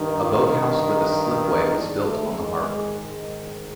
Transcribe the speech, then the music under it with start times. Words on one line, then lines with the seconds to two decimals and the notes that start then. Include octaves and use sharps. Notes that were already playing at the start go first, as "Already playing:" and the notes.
A boat house with a slipway was built on the harbour.
Already playing: G2 D#3
0.21 F4
0.53 D#4
1.75 G#2 D#3 D4
2.06 A3
2.36 G#3